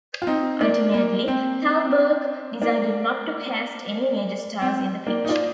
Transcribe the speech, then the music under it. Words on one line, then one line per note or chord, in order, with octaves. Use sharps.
Ultimately, Thalberg decided not to cast any major stars in the picture.
F4
C4 D#4
A#3 D4
A#3
C4
A#3 D4
C4
A#3 D4
D#4
D4 F4